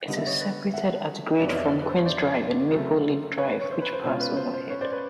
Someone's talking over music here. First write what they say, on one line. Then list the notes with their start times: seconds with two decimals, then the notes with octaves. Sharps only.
It is separated at-grade from Queens Drive and Maple Leaf Drive, which pass overhead.
0.08 D3 G3 B3 D#5
0.17 E5
0.27 C#5 D#5
0.40 B4 C#5
0.74 E5 F#5
1.40 F2 C3 D#3 F#3 B3 D5 E5
1.48 C#5 D#5
1.56 D5 E5
1.64 C#5 D#5
1.81 B4
1.89 C5
1.98 C#5
2.06 C5 D5
2.71 C#3 F#3 A3 C4
3.38 B4 C#5
3.61 C#5
3.71 C5
3.82 B4
3.93 C5
4.04 B2 G#3 C#4 F4 C5
4.20 B4
4.37 C5
4.54 C5
4.70 B4 C#5
4.81 C5 D5
4.92 B4 C#5